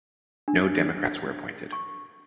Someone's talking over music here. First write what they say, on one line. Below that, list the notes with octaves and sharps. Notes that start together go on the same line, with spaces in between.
No democrats were appointed.
D4
C#6